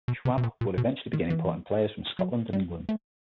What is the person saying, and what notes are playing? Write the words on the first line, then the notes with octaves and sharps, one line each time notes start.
Schwab would eventually begin importing players from Scotland and England.
B2
C3
B2
A#2
A#2
B2
D#3
E3
F#3
G3
A3